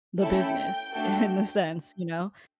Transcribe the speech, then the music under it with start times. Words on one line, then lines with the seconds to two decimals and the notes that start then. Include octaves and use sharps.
the business in the sense, you know?
0.20 A3 C#4 E4 A4 G5
0.93 A3 D4 F#4 A4